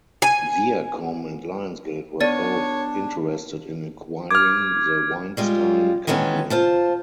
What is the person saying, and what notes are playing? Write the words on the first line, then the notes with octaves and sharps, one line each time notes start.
Viacom and Lionsgate were both interested in acquiring The Weinstein Company.
G#5
B3 D4 C#5 D5 A6 D#7
D6 F6 G#6
G3 G#3 F4
D#3 E3 G#3 B3 C#4
F4 C5 A5